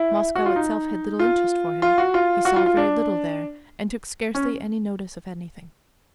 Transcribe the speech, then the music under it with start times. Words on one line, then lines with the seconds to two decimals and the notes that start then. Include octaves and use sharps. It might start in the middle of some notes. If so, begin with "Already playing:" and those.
Moscow itself had little interest for him; he saw very little there, and took scarcely any notice of anything.
Already playing: E4
0.35 F#4
0.46 F4
0.56 D#4
1.19 F4
1.82 F4
1.98 F#4
2.14 F4
2.45 F#4
2.56 F4
2.66 F4
2.77 D4
4.35 C#4